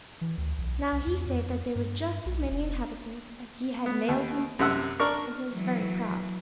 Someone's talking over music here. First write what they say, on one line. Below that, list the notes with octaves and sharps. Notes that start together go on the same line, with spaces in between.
Now he said that there were just as many inhabitants as he had nails in his body; and he was very proud.
E3
D2
B1
C2
E2
F2
G2
B1
F1
B3
D#2
F#2 C3 F#5 E6
D4 A#4 C#6
E3 F#3